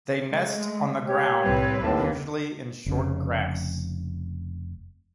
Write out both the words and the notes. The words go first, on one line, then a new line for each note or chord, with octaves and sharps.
They nest on the ground, usually in short grass.
G#3 A3
G4 C#5
C2 A2 G3 C4 B4
D#2 A2 A#3 A5
F1 C#3